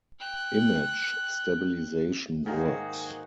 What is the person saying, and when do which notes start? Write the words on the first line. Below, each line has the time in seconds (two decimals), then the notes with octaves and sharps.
Image stabilisation works.
0.20 G5 F#6
2.46 G#2 D#3 A#3 D#4 F#4 G#4